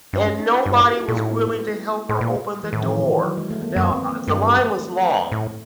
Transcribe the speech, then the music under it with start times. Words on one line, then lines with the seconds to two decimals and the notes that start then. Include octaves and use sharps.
and nobody was willing to help her open the door. Now, uh, the line was long,
0.13 G2 C#4
0.27 C#4
0.40 D#4
0.52 F4
0.65 G2 E4
0.84 G4
0.92 F#4
1.00 F4
1.08 A#2 E4
1.16 A2 D#4
1.30 B3
1.39 A3
1.43 A#3
1.56 A3
1.68 G#3
2.09 A2
2.21 A#2
2.63 E3
2.72 A2 D#3
2.81 F3
2.85 E3
2.98 D#3
3.12 E3
3.23 F#3
3.37 G#3
3.50 A3
3.62 A#3
3.71 B3
3.75 F#2 A#3
3.92 C4
4.10 A#3
4.27 G2 A3
4.79 A3
5.32 A2